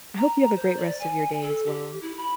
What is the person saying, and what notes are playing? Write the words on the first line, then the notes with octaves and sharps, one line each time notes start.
I hope you have a great rest of your day as well.
A#5
C5
D5
G#5
A4
G4
E4
B5